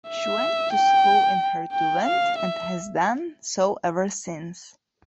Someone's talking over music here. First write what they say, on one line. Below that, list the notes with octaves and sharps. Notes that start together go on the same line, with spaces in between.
She went to school in her duvet and has done so ever since.
E5
G5
G5
F5
E5